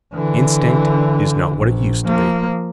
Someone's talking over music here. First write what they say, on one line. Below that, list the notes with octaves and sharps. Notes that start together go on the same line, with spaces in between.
Instinct is not what it used to be.
D3 E3
A#1
F3 A#3